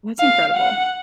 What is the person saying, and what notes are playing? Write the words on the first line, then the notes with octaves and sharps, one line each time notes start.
That's incredible.
F5
F#5